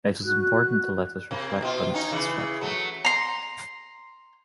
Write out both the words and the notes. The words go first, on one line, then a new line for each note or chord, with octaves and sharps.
It was important to let us reflect on its construction.
F#4 F#6
C3 A#3
B2 F4
C#4 D#4
C#3 E3
F#3 A3
A#5 C6